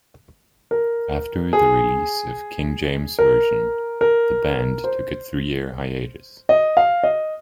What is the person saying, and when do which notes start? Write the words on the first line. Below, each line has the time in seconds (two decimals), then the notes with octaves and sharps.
After the release of "King James Version", the band took a three-year hiatus.
0.71 A#4
1.53 G#4
3.19 A#4
4.01 A#4
4.84 C5
6.49 D#5
6.77 F5
7.03 D#5